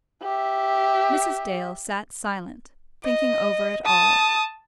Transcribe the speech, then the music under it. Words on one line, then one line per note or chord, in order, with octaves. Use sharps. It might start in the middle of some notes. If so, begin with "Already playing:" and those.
Mrs. Dale sat silent, thinking over it all.
G4 E5
D#5
A5 D#6